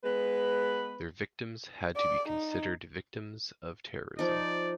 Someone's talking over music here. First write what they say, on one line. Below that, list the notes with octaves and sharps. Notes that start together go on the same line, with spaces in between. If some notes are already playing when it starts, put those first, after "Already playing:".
Their victims had to be considered victims of terrorism.
G#3 B3 B4
D5
D#4
F3 D#4 D5